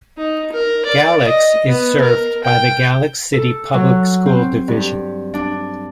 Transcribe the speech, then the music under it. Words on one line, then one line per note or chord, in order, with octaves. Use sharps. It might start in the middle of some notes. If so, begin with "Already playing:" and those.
Galax is served by the Galax City Public School Division.
D#4
A#4
D5
D#5
B3
A#4
G5
A4
F#3
C4
G2
D4